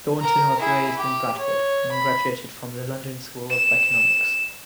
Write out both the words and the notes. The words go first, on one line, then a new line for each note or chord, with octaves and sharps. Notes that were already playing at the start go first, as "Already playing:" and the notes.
Thornton was raised in Bradford, and graduated from the London School of Economics.
A#4 A#5
E4 G#4
G4
C#5
B5
E7